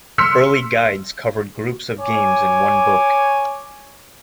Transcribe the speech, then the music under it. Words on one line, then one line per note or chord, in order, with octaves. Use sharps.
Early guides covered groups of games in one book.
C6 E6 F6 B6 C#7
C#5 G#5 D6